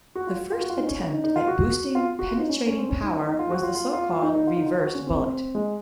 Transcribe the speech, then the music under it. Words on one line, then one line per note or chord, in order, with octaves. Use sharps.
The first attempt at boosting penetrating power was the so-called 'reversed bullet'.
F#4
F4
F#4
F4
F#4
F4
D#4
C#4
C#4
D#4
D#4
F4
F#4
F4
F#4
F4
D#4
C#4
C#4
C4
C#4
D#4
D#4
F4
F#4
F4
F4
F4
F4
D#4
D#4
F4
D#4
F4
F#4
C#4
C4
C4
G#3